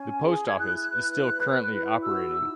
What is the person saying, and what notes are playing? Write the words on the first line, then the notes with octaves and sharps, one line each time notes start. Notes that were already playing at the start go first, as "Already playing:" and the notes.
The post office is still currently operating.
Already playing: C#4 G#5
G#4
G#6
E4 F#6
B4
B4
E4
F#4 E6
D#4